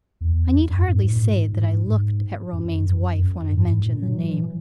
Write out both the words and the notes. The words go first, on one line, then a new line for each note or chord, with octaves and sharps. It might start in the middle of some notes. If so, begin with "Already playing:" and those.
I need hardly say that I looked at Romayne's wife when I mentioned the name.
E2
F#2
F#2
G#2
A#2
G#2
G#2
G#2
F#2
F#2
F#2
G#2
G#2
A#2
F#3
E3